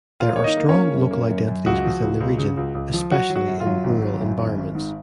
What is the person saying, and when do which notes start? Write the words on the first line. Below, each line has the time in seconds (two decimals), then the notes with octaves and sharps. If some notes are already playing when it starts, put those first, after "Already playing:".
There are strong local identities within the region, especially in rural environments.
0.20 A#3 F4 F5
0.36 A#3 C#5
0.44 D#4 D#5
0.57 A#3
0.69 C#4 C#5
0.74 A#3
0.94 F#2
1.11 A#3
1.30 F#2
1.48 F#2
1.66 C#2 F#4
1.84 F3
2.02 C#2
2.20 C#2
2.38 C#3
2.57 C#2
2.75 C#2
2.93 F3
3.11 F#3 F#4
3.30 F#3
3.36 F#4
3.48 F#2
3.60 F4
3.66 F#3
3.84 G#1
4.02 F#3
4.21 F#2
4.39 G#1
4.57 G#1
4.75 G#2